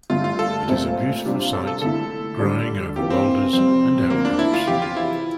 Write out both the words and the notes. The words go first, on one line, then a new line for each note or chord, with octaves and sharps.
It is a beautiful sight growing over boulders and outcrops.
G2 D3 A3 F4
F4
A4
C2 A#2 A3 C4 F4
C3 G3 D4 F4
A4
A4
D3 A3 E4 A4
D3 G3 D4
C3 E3 A#3 F4 G4
C4
F2 C3 G3 C4
D2 D3 F3 A#3
D4
E4
F4
E2 C3 F3 G4
F4
E4